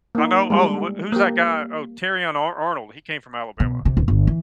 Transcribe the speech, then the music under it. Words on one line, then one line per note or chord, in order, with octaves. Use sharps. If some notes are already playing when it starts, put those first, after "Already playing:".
I know oh, wh who's that guy? Oh, Terrion Ar Arnold, he came from Alabama.
A#3 D#4
G3 G#3
A#3 G4
B2
C3
D1
G1
E3